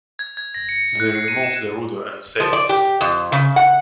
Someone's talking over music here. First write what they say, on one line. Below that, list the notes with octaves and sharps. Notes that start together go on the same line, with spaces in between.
They removed the rudder and sails.
G#6
G#6
A#6
C#7
C#7
F#6
C7
D#7
E7
F3
D5
G4
F2
C#3
F#5